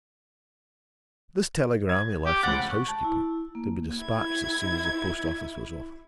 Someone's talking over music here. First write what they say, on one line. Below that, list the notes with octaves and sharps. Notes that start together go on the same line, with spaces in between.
This telegram he left with his housekeeper--to be dispatched as soon as the post-office was open.
G#6
G4
C#2 F#5 A6
C#6
A5
E4
A#3
E4 G#6